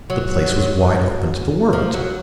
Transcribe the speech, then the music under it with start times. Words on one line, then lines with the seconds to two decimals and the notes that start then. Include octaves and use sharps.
The place was wide open to the world.
0.10 F#3
1.73 F3
1.94 F#3